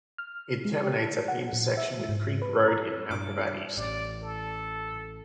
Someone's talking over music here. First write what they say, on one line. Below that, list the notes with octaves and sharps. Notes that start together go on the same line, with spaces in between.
It terminates at the intersection with Creek Road in Mount Gravatt East.
F6
G#3
G4
A5
F#5
A#2
E5
G#2
B4
A#5
G2 D6
A1 D5
A4